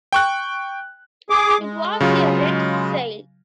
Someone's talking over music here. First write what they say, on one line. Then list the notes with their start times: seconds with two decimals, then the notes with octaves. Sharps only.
It was a red sail.
0.13 G5 C#6 F#6
1.30 G#4 D6
1.60 G#3
2.00 C#3 F#3 F4